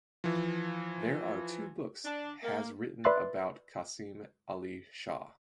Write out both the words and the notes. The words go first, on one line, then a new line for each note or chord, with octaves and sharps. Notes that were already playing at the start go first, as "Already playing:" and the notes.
There are two books has written about Qasim Ali Shah.
E3 F3
D4
A#3
B4 D5 E5 C6 F#6 A6